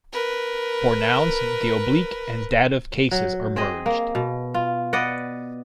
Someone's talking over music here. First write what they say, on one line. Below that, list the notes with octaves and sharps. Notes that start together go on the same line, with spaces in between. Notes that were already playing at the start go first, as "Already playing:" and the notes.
For nouns the oblique and dative cases are merged.
A#4 B4
F#3
C4 G#4 D#5
A#3
B2
F4
B3 D5 D#5 F#5